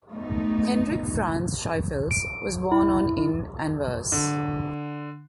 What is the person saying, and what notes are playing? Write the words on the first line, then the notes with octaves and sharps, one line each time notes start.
Hendrik Frans Schaefels was born on in Anvers.
A3 B3 D#4
D7
E4
E4
D3